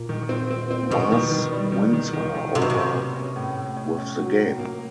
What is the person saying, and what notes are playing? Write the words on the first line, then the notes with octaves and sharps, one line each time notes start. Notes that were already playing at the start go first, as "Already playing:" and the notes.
Mars wins her over with the game.
Already playing: A#2
D#3
C4
C4
C4
B2 D#3
D#3
D#3
G3
D#3
D#3
D#3
D#3
C3 F#3
B2
C3
C#4
A#3
C#4
A2
A2
C#4
C#4
F#3
A2
A#3